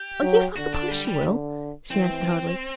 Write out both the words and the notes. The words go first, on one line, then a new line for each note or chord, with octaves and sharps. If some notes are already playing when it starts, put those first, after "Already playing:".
"Oh, yes, I suppose she will," she answered hurriedly.
Already playing: G4
F#3
D3 F#4
D4
G3
G3
D3
E3 C4